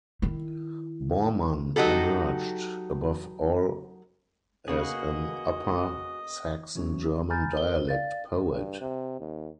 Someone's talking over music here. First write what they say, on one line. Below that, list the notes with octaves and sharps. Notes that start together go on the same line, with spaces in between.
Bormann emerged above all as an Upper Saxon German dialect poet.
D#3 E4
F#3 D#4 F#4 G4 A4
C#3 A#3 B3 F#4 G#4 D#5
E3 F#3 C#4
G#5 A#5 B5 F6 G6 A6
A#4 C5 G7
D5 F5 A6
G2
C3
D#2